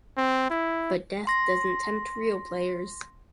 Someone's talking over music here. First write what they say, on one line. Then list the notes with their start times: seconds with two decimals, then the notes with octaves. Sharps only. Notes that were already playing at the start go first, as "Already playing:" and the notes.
But death doesn’t tempt real players.
0.17 C4
0.50 E4
1.27 C6 A#6